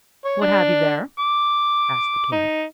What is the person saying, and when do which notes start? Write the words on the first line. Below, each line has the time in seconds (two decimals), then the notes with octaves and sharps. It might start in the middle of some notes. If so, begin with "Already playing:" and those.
"What have you there?" asked the king.
0.24 C#5
0.41 D4
1.19 D6
2.32 D#4